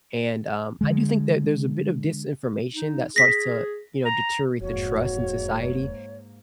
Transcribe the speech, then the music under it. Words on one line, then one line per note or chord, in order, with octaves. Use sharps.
and, um, I do think that there's a bit of disinformation that starts to, you know, deteriorate the trust in society
D3 G#3
D#4
G#4 A#6 B6
A#5
E1 F2 G#2 A#3 F#4 C#5